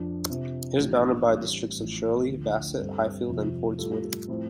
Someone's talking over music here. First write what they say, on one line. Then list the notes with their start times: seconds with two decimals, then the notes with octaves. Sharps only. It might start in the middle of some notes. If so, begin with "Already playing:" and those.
It is bounded by the districts of Shirley, Bassett, Highfield and Portswood.
Already playing: F2 F3 D4
0.30 C3 F3 C4
0.80 A1 A2 F3 D4 G4
1.29 A1 A2 G3 C4
1.79 A1 A2 F3
2.29 D2 D3 F3
2.79 G2 G3 C4 A4
3.29 F2 C3 F3
3.78 A2 G3 F4 A4
4.28 A2 F3 C4